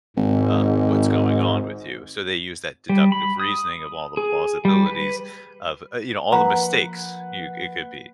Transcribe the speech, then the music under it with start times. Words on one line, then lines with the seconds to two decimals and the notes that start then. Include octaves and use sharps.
uh, what's going on with you." So, they use that deductive reasoning of all the plausibilities of uh, you know, all the mistakes you it could be.
0.17 G#1 G#2
2.89 G3
3.12 B5
3.40 D#6
4.17 G#4
4.65 G3
4.86 B4
6.32 F3 A#3 B4 F#5 A#5